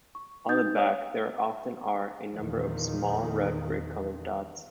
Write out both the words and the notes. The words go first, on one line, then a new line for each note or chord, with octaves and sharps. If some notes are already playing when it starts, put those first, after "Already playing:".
On the back there often are a number of small red-brick coloured dots.
C#6
D#4 D#6 G6 A6
C#5 F5 D#6
E2 A#2 D#3 F3